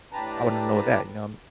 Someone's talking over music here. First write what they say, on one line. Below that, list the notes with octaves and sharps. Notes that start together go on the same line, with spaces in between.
I wanna know that, you know, and
A2 D4 G4 B4 A5 A#5